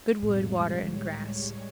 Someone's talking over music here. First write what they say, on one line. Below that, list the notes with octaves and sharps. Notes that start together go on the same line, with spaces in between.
Good wood, water, and grass.
B1 F2 A2 C3 G3 G#3
C#2 A2 D3 G3 G#3 C#5